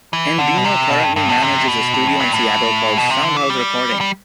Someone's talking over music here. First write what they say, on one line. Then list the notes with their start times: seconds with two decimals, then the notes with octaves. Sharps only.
Endino currently manages a studio in Seattle called Soundhouse Recording.
0.13 E3
0.39 D3
0.58 B2
0.64 C3
0.90 B2
1.04 G2
1.16 G2
1.29 A2
1.42 C3
1.68 B2
1.94 A2
2.07 F2
2.19 G2
2.33 A2
2.98 B2
3.10 C3
3.24 D3
3.36 E3
3.50 G3
4.01 G3